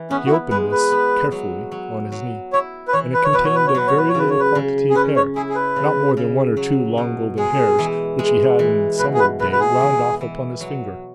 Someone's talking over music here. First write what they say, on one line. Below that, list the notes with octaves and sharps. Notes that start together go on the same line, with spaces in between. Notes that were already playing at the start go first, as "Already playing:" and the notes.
He opened this, carefully, on his knee, and it contained a very little quantity of hair: not more than one or two long golden hairs, which he had, in some old day, wound off upon his finger.
Already playing: E3
B3 C#4
F#4
E4
G#3 B4
B4
B3
F#3
F#3
F#3
E4 C#5
B4
E3 C#5
B4
C#5
B2 B4
C#5
B4
C#5
F#3 B4
C#5
B4
C#5
C#3 B4
C#5
B4
C#3
G#4
C#4 B4
C#5
E4 G#4
G#4
B4
C#3
C#3
F#3
B2
G#3 G#4
E3
G#3
E3
B2 B4
G#4
B4
B2 B4
B4
G#4
E3
E3
F#3